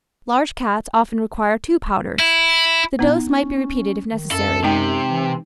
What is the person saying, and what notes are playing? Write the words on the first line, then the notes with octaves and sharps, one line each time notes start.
Large cats often require two powders. The dose might be repeated if necessary.
E4
A#2 B3 D#4
C#4
D#3
F#2 A4
C3 G#3 D#4 G5
E3